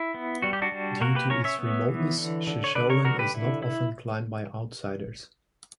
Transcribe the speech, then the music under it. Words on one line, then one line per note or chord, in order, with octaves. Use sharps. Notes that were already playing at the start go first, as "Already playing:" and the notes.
Due to its remoteness Shishaldin is not often climbed by outsiders.
Already playing: E4
B3
G3 F#4
G4
D4 F#4
G3
A#3 F#4 A#4
G4 B4
C#4 A#4 C#5
C#5 E5
B3
E3
D3
D3
C#5
D3 B4 D5
A#4 C#5
D3 F#4 A#4
G4 B4
D3 E4
E4